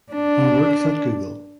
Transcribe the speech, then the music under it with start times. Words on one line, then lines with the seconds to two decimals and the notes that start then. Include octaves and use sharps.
He works at Google.
0.13 D4